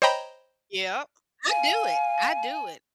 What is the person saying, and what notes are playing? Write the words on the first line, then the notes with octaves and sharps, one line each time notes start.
yep. I do it. I do it.
C5 C#5 D#5 G5 A#5 B5
F5 G#5